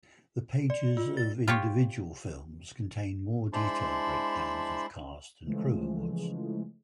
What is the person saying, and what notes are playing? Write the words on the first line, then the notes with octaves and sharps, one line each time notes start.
The pages of individual films contain more detailed breakdowns of cast and crew awards.
D5
F4
A6
F4 G4 C#5
G#3 D4 E4 C5 A5 B5
C#3 E3 F3 G#3 A3